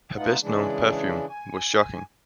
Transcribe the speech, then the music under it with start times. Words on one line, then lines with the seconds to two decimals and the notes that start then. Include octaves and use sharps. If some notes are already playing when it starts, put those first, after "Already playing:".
Her best-known perfume was Shocking!
0.17 A3 B3 D#4 F4 F#5
0.41 C#3 E3 G#3 D4
1.29 G#5